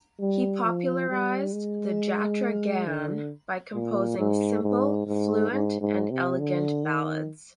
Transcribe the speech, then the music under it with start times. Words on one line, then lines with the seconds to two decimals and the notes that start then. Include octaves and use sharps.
He popularized the Jatra Gan by composing simple fluent and elegant ballads.
0.20 G3
0.65 F3
1.09 G3
1.53 G#3
2.86 D3
3.74 A#2
4.19 G#2
4.63 G#2
5.07 G#2
5.51 G#2
5.81 G#2
6.11 C3
6.39 D3
6.84 D#3